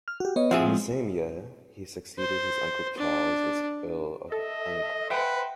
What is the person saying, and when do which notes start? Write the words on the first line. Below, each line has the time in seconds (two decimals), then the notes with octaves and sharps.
In the same year, he succeeded his uncle Charles as Earl of Ancram.
0.08 F6
0.20 F#4 G4
0.36 B3 C#5 D#5
0.51 F3 C4 G#4 E5 F#5
0.66 G#3
2.19 C5
2.97 D4
4.32 A4 D#5 E5
5.10 B4 C5 E5 F#5 G5